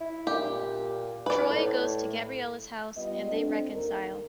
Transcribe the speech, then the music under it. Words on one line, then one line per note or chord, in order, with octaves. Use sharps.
Troy goes to Gabriella's house and they reconcile.
E4
A#2 G4
B4 D5
A2
G3 B3 F4 D#5
C4 D4 A4
D#2 A#4